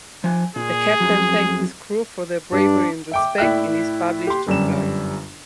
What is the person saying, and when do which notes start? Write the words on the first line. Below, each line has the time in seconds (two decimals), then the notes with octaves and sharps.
The captain thanked his crew for their bravery and respect in a published reply.
0.24 F3 G#5
0.56 A#2 G#4
1.00 F2 F#3
2.52 G2 D4
3.12 E5 G5 D6
3.38 A2 E4 D5 E5 G5 F#6
4.27 G4 C6
4.47 G1 F#2 G3 E7